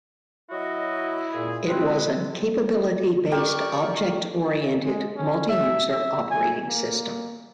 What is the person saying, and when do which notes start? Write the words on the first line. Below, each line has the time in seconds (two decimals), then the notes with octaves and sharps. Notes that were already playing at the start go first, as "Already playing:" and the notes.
It was an capability-based object-oriented multi-user operating system.
0.51 F#3 E4 F#4 D#5
1.33 A#2 G#4
1.66 D2 G#3 C4 B4
3.32 G4 A#4 D5 G5 C#6
4.84 G#3
5.16 C#4
5.49 E5
5.91 E5
6.31 G#5
6.69 A#3